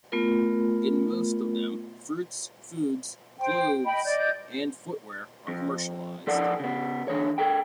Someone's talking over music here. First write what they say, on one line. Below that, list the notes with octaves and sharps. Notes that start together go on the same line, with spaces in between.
In most of them, fruits, foods, clothes and footwear are commercialized.
A3 B3 F4 A#4
C5 G5
D#5 G5 B5
D5 D#5 G6
F2
F3 A4 D5 F#5
C#3 B3
D3 E3 C#5
A4 A#4 G5